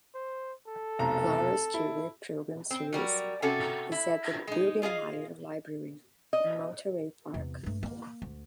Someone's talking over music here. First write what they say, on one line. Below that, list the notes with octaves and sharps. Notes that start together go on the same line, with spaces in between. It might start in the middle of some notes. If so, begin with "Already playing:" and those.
Laura Scudder Program Series is at the Bruggemeyer Library, in Monterey Park.
C5
A4
F1 B1 A#5
E4
C4
F#3 G3 A#4
C3 C#4 F#4 A4
E4
G#3 D#4
F4 G#4 D#5 F5
D#5
E2 C3
G2 A3
A#3
D2